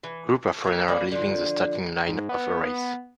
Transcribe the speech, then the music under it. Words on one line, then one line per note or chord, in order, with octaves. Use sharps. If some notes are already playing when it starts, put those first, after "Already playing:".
Group of runners leaving the starting line of a race.
E3
A4
A#3 G4 A#4
E3 A#3 D5
D3 F3
G#2
B3